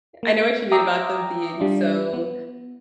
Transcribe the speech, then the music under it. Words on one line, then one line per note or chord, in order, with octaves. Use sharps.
I know what you mean about them being so
A#3
E5 G5 A#5 D6 D#6
G3 D4 F4
B3